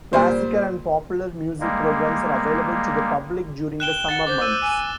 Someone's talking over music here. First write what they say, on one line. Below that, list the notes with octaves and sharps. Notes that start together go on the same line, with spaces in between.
Classical and popular music programs are available to the public during the summer months.
A#2 G3 C5
G3 G#3 A#3
G5 F#6 E7 G7
F#5 A6
C5 D6
E6 D#7
G#5